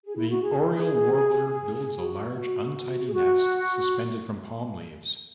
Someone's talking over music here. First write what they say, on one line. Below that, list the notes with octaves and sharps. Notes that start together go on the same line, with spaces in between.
The oriole warbler builds a large untidy nest suspended from palm leaves.
G#4
E4
F#4
G#4
F#4
G#4
F#4